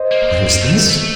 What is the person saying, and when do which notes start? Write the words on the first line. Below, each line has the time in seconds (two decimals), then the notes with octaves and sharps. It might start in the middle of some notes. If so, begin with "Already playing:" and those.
What is this?
Already playing: C5 D#5
0.11 A#3
0.23 A#3
0.28 C4
0.44 A#3
0.62 A3